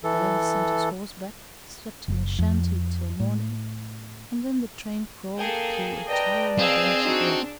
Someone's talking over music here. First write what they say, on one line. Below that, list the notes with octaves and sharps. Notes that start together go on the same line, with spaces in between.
There he sent his horse back, slept in a shanty till morning, and then the train crawled through a towering bench of rock.
E3 A4
F#1
F2
A2
A#3 G#4 A4 G5
B4 D5 D#5 G5 A5 A#5
C4 G#4 D#5 F5 E6
D4 D#4 F#4